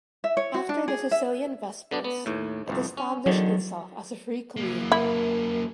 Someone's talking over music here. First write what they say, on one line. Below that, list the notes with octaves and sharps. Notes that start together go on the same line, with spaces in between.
After the Sicilian Vespers, it established itself as a free commune.
E5
C#5
F#4
D4
G#4
E5
D3 B3 D4
B3
D#2 A2
G1 C2 F2
C#4
E2 D3 D#3 F#3
F#3 A#3
E4 A#4